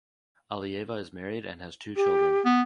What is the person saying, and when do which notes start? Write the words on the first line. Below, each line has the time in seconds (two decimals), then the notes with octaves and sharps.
Aliyeva is married and has two children.
1.96 G4
2.45 B3